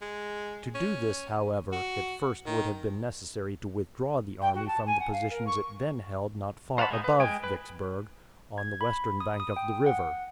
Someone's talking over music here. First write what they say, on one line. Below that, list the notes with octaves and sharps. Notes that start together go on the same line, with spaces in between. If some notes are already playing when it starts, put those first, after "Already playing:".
To do this, however, it first would have been necessary to withdraw the army from the positions it then held not far above Vicksburg, on the western bank of the river.
G#3
C#4
F#4
D#3
G5
F#4
A5
G#5
F#5
F5
A#4
C#6
C5 F5 F#5 A5 B5
G#3 D#4
B4
G#3 G5 G#5
B4
G#6
B5
D#6
D#6
G5
F#5